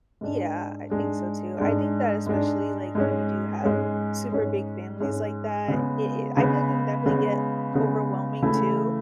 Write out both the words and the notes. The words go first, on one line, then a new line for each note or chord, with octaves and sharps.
Yeah. I think so too. I think that especially, like, when you do have super big families like that, it it I feel like you can definitely get overwhelming too,
G#2 G#3 D4
G#2 G#3 D4
G#2 G#3 D4
G#2 G#3 D4
G#2 G#3 C#4
G#2 G#3 C#4
G#2 G#3 C#4
G#2 G#3 C#4
C#3 G#3 B3
C#3 G#3 B3
C#3 G#3 B3
C#3 G#3 B3
C#3 E3 A3 E4